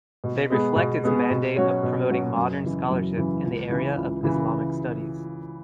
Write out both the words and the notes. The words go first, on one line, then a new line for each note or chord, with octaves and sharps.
They reflect its mandate of promoting modern scholarship in the area of Islamic studies.
B2
G#3 B3 G#4
B2
G#3 B3 G#4
B2
F#3 C#4 F#4 C#5
B2
F#3 C#4 F#4 C#5
F#2
C#3 E3
F#2
C#3 E3
C#2
C#3 E3
C#2
C#3 E3